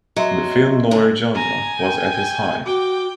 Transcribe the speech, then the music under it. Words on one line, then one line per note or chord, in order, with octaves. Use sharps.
The film noir genre was at its height.
F#3 D#5 E5 C6
F#2 D3
G#5 A#5
G5
F#4 G5 D6